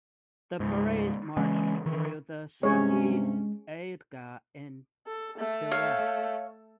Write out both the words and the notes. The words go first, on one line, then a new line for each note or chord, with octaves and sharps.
The parade marched through the Shahi Eidgah in Sylhet.
C#2 G#2
C#3 E3 G#3 C#4
D#3 E3
G2 C3 G#3 C#4 G#4 C#5
A4
A3
C#5 F5